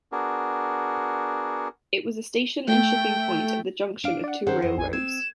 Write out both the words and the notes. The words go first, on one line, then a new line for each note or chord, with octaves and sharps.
It was a station and shipping point at the junction of two railroads.
B3 D4 F#4 G#4 A#4
A3 G5
D4 F5 D7
D5 F#5
D#3 C4 C#4 G#4 C5 F#5
F2
A#1 G#5
C4 G#6 E7